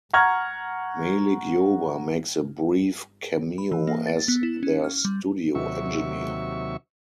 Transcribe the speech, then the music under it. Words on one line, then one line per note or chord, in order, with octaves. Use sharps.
Malik Yoba makes a brief cameo as their studio engineer.
F#5 A#5 C#6 F6 G#6
B5
E3
A#3
A6
B3
E4
C#4
F6
G3
D#2 C3 F#3 E5 C#6